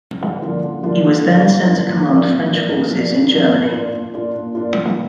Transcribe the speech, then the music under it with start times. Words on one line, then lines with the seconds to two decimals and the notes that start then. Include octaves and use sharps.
He was then sent to command French forces in Germany.
0.21 D3
0.42 F3 A#3 D4 F4
0.63 D3
0.83 F3 A#3 D4 F4
1.04 D3
1.25 F3 A#3 D4 F4
1.45 D3
1.66 F3 A#3 D4 F4
1.87 A#2
2.08 F3 A#3 D4
2.28 A#2
2.49 F3 A#3 D4
2.69 A#2
2.90 F3 A#3 D4
3.11 A#2
3.31 F3 A#3 D4
3.52 A#2
3.72 A#3 D4 F4
3.93 A#2
4.14 A#3 D4 F4
4.35 A#2
4.55 A#3 D4 F4
4.76 A#2